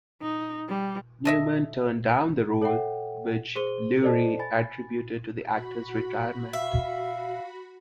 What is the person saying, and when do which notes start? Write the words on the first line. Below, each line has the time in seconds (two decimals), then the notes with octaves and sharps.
Newman turned down the role, which Lurie attributed to the actor's retirement.
0.22 D#4
0.69 G3
1.25 A4 D#5 E5
2.62 A4 C#5 E5 F#5 G5
3.55 G#4 A#4 C5 C6 D#7 G7
4.02 A4 C5 D5 D#5 A5
4.39 G#5 B5 A6
5.44 F#4 B5
6.53 E5 F5